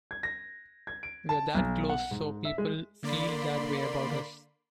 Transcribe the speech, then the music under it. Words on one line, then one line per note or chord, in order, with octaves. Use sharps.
We're that close so people feel that way about us.
G#6
A#6
G#6
D7
A5
B1
F#5
G#2
E5
G#3
D3 A#3 D5 B5 C6